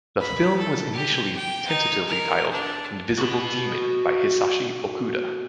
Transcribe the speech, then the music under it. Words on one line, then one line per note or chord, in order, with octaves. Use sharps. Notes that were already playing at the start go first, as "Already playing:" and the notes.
The film was initially tentatively titled "Invisible Demon" by Hisashi Okuda.
B5
A4
G4
G5
D#4
A#4
D4
F#4 B5